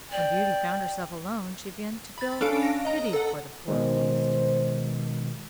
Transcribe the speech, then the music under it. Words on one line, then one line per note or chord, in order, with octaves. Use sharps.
When Beauty found herself alone, she began to feel pity for the poor beast.
D5 G5
B5 A6
C#4 D4 A4 F5 D7
A#6
D#5 A#5
A4 F#5
B2 D#3 G#3 C5